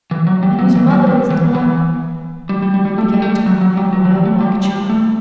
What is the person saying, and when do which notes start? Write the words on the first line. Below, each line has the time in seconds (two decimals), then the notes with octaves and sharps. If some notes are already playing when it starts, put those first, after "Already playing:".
And his mother is dying!' He began to cry and wail like a child.
0.11 E3
0.27 F#3
0.43 G3
0.59 F#3
0.75 E3
0.91 F#3
1.07 G3
1.30 E3
1.55 E3
2.49 G3
2.62 G3
2.74 G3
2.85 G3
2.98 A3
3.14 G3
3.22 A3
3.30 G3
3.46 F#3
3.61 F#3
3.77 G3
3.93 F#3
4.05 F#3
4.09 E3
4.26 A3
4.40 G3
4.65 G3
4.89 A3